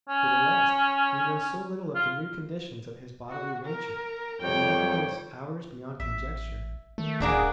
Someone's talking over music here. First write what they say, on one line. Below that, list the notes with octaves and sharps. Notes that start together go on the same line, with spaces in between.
For the rest, we know so little of the new conditions of his bodily nature, that nothing is ours beyond conjecture.
C#4
F4
F#4
A#4
F2 G3 C#5 G5
A1 E5
D#3 A3
D1 A#3 D4 F#4 G#4